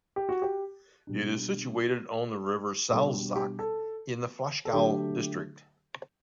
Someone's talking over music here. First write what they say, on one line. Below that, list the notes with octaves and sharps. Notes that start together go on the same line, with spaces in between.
It is situated on the river Salzach in the Flachgau district.
G4
F#4
G4
B2 G3 D4
B2 G3 D4 A4
G4
A4
A4
D3 F#3 A3 D4 G4